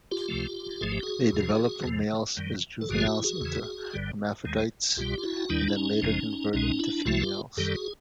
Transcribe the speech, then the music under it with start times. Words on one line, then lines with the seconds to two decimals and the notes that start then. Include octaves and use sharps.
They develop from males as juveniles into hermaphrodites and then later convert into females.
0.11 F4 G4
0.28 C#2 C3 F3 A3
0.81 G#1 G#2 F3 A3 G#4
0.92 G4
1.03 F#4 G#4
1.33 E2 C3 F3
1.85 E2 C3 F3
2.37 F#2 D#3 G3
2.81 A4
2.89 G#1 G2 D3 F3 G#3 F#4 G#4
3.00 F4
3.06 E4 F#4
3.24 F#4 G#4
3.41 E2 C#3 E3
3.93 G1 G2 D3 G3
4.45 D#2 D#3 G#3
4.97 C2 B2 G3 F4 G4
5.18 F4
5.23 E4 F#4
5.49 D#2 D#3 G3 D4 E4
5.68 E4
5.76 C#4 D#4
6.01 G#1 F#2 C#3 F3 G#3
6.53 C2 B2 G#3 C#4 D#4
6.79 D4 E4
7.05 C2 C3 F3 A3 E4 F#4
7.23 F4 G4
7.57 F#2 D#3 G3 G4 A4
7.75 F#4 G#4